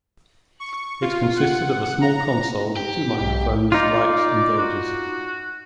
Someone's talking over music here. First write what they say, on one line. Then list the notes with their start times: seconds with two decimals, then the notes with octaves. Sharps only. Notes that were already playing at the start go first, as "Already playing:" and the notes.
It consisted of a small console with two microphones, lights and gauges.
0.60 C#6
1.02 F4
1.37 F#5
2.01 A#5
2.77 G4
3.17 B1 G#2
3.72 D#4 F4 D5
4.58 F#4